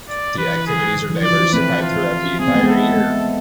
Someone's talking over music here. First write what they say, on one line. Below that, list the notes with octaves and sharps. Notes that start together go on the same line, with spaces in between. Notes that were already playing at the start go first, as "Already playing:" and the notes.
The activities are diversified throughout the entire year.
D5
E3 B4
G#4
D3
E3
F3 D5
E3
A3 C4 B4
F4
C4 G#4
B3
A3
G#3 B3
A4
A3